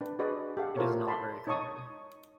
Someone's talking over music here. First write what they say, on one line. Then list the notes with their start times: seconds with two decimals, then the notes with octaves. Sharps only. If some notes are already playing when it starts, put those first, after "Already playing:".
It is not very common.
0.01 D4 B4
0.19 F#4 G#4 B4 D5 D#5
0.57 G4 A4 F5 F#5
0.77 E4 F4 A4 A#4 C5 C#5
1.07 D5 A5 B5 C6
1.47 D#4 C#5 A5 C#6 D#6